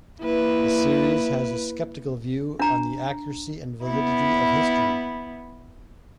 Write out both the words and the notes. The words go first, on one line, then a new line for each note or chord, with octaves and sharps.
The series has a sceptical view on the accuracy and validity of history.
A#3 E4 B4
D4 A#5
B3 E4